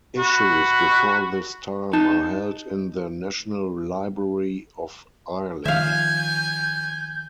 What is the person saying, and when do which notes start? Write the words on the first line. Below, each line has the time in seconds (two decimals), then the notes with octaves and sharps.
Issues before this time are held in the National Library of Ireland.
0.17 F#4 B5
1.93 D#4 A5
5.65 D#3 F3 E5 F5 G#5 G6